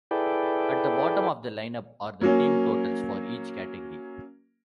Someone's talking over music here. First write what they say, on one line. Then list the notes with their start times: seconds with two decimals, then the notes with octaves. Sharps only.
At the bottom of the lineup are the team totals for each category.
0.11 E4 G#4 A4 B4 D5 G5
2.21 F#3 A#3 C#4